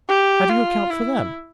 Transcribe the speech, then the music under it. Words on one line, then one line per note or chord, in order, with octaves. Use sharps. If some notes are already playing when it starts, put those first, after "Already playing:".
"How do you account for them?"
G4
F4
E4